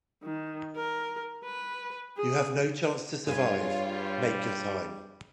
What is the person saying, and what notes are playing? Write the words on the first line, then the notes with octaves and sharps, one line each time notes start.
You have no chance to survive make your time.
D#3
A#4
B4
G#4
G2 F4 G#4 B4 C#5 G#5
G3